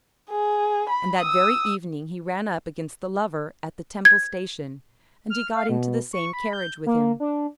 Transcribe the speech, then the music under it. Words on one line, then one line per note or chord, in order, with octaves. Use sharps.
And that very evening he ran up against the Lover at the Temple Station, and he got into the same carriage with him.
G#4
B5
D#6 E6
G#6
F6
F5
B2
C#6
B5
G6
A#3
D4